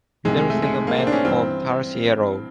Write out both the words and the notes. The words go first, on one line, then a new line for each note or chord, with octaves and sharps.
Middle segment of tarsi yellow.
C2 C3 D#3 G#3
G#3
A3
G#3
A3
A#3
C4
D4
C#4
G2 E3 C4